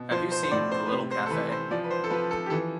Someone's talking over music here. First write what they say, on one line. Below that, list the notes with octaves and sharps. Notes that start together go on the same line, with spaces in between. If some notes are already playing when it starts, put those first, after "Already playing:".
Have you seen "The Little Cafe"?.
Already playing: B2
F3 C5
C5
C5
A2 D5
C5
B4
C3 C5
C5
A4
E3 B4
C5
F3 D5
B4
C5
A4
F3 B4
A4
G4
E3 A4